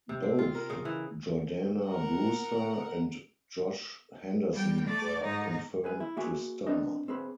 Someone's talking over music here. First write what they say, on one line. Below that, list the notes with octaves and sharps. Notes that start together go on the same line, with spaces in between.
Both Jordana Brewster and Josh Henderson were confirmed to star.
C3
C4
F4
A#4
C#3
E3
A#4 F#5
G3 G5
A3 D5
G#2 D#4
G#4 B4 G#5
E4
A#3 F#4 G#4 E5 F#5 G#5
C4 D4 B4 D#5
C4 G#4 B4